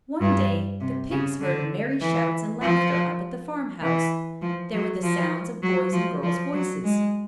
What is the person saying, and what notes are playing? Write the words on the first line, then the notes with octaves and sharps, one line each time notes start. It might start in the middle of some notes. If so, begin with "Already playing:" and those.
One day the pigs heard merry shouts and laughter up at the farmhouse. There were the sounds of boys' and girls' voices.
G2
C3
C#3
D3
E3
F3
E3
F3
F#3
F3
F#3
F3
F3
F#3
G#3